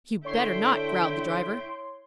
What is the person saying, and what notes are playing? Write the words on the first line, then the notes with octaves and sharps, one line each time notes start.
"You'd better not," growled the driver.
D3 E4 C#5 G5 C6